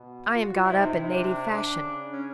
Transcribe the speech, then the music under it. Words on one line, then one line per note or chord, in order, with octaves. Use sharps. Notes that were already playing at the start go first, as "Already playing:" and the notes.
I am got up in native fashion.
Already playing: B2
F4
F#4
F4
C3 E4
D#4
C3 E4
D#4
D4
D4
C#3
C#4